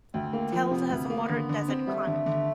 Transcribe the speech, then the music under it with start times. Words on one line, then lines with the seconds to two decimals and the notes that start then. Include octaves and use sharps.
Telde has a moderate desert climate.
0.14 D2 C4
0.33 A#3
0.52 F3
0.71 C3 B3
0.91 D2
1.10 A#3
1.29 D3
1.49 D3
1.68 C4
1.87 G3 A3
2.07 D3
2.26 D3